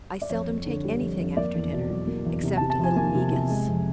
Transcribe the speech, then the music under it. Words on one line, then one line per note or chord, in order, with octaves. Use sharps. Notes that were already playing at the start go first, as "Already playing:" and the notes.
"I seldom take anything after dinner, except a little negus."
D5
F2 C#5
F2
D3
G3
F2
F2
A#3 D5
E2
B2
F#3
A#3
E2
C3
A5
C3
A5
F3 G#5
A#3 G#5
C3
C3
G#3
F2